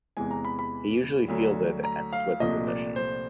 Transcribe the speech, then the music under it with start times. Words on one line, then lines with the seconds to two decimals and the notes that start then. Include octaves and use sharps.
He usually fielded at slip position.
0.17 E2 C3 E3 G#3 G#5
0.31 A#5
0.45 B5
0.59 B5
1.28 D2 D3 F#3
1.84 A#5
2.13 F5
2.40 C2 A#2 F3 A3 D#5
2.67 D5
2.96 C5